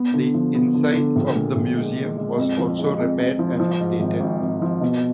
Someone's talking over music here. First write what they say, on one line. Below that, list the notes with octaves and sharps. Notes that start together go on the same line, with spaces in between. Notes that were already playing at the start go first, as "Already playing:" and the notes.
The inside of the museum was also repaired and updated.
Already playing: B3
D3
F3
B3
D3
D3
A#1
A#2
A#1
G#3
G#3
G#3
F2
F3
G#3
F2
F2
F3
F3
G#2
G#1
G#1
G#1
F3
B2